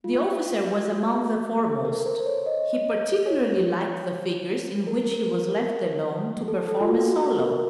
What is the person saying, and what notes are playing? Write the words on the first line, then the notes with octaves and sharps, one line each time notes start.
The officer was among the foremost; he particularly liked the figures in which he was left alone, to perform a solo.
F4
F#4
A4
A#4
C5
C#5
D#5
C#5
A#4
A4
A4
F4
F#4
F#4
A#4